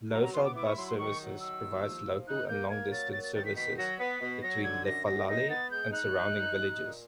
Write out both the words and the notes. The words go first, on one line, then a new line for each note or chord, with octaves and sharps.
Lowveld Bus Services provides local and long distance services between Lephalale and surrounding villages.
F#3 A#5
A#5
B3 C6
D6
E4 D6
C#6
F#3 C6
C6
D#3 C#6
F#3
D#3 E6
D#2
F3
F3
D#4 F#6
A#3 G6
A#3 G#6
F#3 A6
A#3 A6
A6
D#3 A6
B6
B2 B6
F#3 A#6
B3 B6
B2
F#3 A#6
D3 G#6
F#2 A#6
F#2 A#6
D#4 A#6
B3 A6
G#3 G6
D#4 F#6
D#4
D#4
D#4
A#2